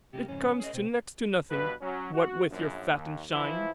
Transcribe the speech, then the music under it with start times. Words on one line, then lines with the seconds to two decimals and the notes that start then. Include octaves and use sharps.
It comes to next to nothing--what with your fat and shine.
0.13 C3 G#3 A#3 G4
0.28 F2 G#2 C#3 C#4
0.60 G#4 A#4 D#5
0.73 B2 C4
1.50 G2 B2 B4
1.81 F#3 C#4
2.14 F#4
2.49 A#1 F#2
2.89 D#2
3.32 E3 F3 E4